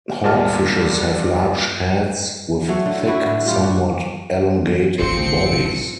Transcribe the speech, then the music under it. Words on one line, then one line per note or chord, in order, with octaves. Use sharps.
Hawkfishes have large heads with thick, somewhat elongated bodies.
D#2 A#2 G3 A#4 A5 F6
F#3 A3 F#4
D3
D3 E4 F#4 B4
A2
G3 F4 G4
F#4
A1 F3 C4 C#4 C5 C#7